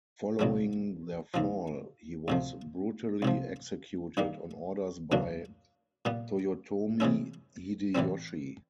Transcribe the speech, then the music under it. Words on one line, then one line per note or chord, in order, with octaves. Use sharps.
Following their fall, he was brutally executed on orders by Toyotomi Hideyoshi.
C2 A#2 F#3 A3
D#2 C#3 F3
D2 C3 F3
C2 C3 F3
G2 D#3 G3 A#3
D2 C#3 F#3 A#3 D4
A#2 G3 B3
C3 E3 G#3 C#4 E4
A2 E3 G3 C4